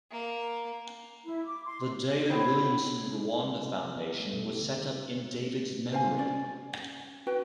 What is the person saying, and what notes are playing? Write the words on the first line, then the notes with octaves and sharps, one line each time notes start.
The David Williamson Rwanda Foundation was set up in David's memory.
A#3
E4
D6
C6
B3 E4 C5 C#5 G5
B3
A3
B2
G4
D3
C5 F5 G#5
C#4 D5
F#4 B4 G5